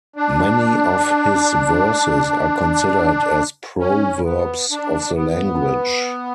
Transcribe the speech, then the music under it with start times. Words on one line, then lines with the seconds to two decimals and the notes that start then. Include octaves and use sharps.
Many of his verses are considered as proverbs of the language.
0.16 D4
3.79 C#4
4.25 B3
4.71 D4
5.16 B3